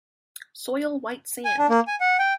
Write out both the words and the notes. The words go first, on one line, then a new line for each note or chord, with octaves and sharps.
Soil white sand.
G#5
D4
A#3
G#5
F#5
G5